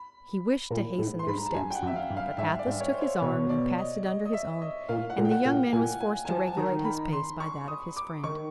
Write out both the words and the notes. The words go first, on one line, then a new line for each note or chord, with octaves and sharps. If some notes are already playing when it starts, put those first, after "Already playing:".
He wished to hasten their steps; but Athos took his arm and passed it under his own, and the young man was forced to regulate his pace by that of his friend.
Already playing: B5
A#2
A2
C6
G#2 B5
A#5
A5
G2 G#5
G5
F#5
F#2
E5
F5
G2
F5
G#2 E5
D5
G#2
C#5
C5
C#5
B2 C#5
D5
D#5
D#5
D#5
E5
D#5
A#2 F5
F#5
A#2
G5
F#5
A#2
G5
A#2 G#5
G#5
G#5
F3 A5
A5
D#3 A#5
B5
C6
C#6
D#6
D6
D#3 C#6